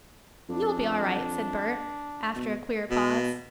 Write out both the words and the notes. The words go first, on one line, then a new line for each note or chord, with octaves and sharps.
"You'll be all right," said Bert, after a queer pause.
F2 D4
B2
B2